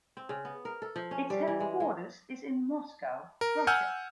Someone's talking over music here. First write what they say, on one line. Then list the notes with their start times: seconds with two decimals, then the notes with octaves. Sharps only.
Its headquarters is in Moscow, Russia.
0.17 C4
0.29 C#3
0.45 B3
0.65 A#4
0.82 A4
0.96 F3
1.11 C#4
1.30 G3
1.48 E3
1.60 G#3
1.80 G#3
3.41 A#4
3.67 F#5 G#5 E6 F6 G6